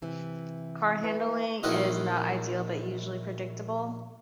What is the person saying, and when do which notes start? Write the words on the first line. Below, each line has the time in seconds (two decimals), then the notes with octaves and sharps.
Car handling is not ideal, but usually predictable.
0.02 C3 E3
1.04 E3 B4
1.63 A#1 D#3 C#4 E4 F#4 D#5